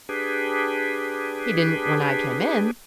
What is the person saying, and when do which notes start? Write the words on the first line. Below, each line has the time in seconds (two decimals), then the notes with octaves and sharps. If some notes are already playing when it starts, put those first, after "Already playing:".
"He didn't when I came in."
0.09 D4 G4 G#4 B4